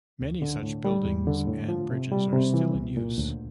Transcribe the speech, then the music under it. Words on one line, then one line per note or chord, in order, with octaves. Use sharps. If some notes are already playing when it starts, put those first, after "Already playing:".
Many such buildings and bridges are still in use.
D2
D3
A2
G3
E2
D3
A2
F3
C3
G3
C3
E3
C2
A#2
D2